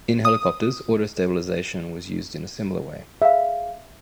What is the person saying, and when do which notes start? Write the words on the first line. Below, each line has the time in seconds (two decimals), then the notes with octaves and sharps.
In helicopters, auto-stabilization was used in a similar way.
0.25 D#6
3.22 G#4 E5 F5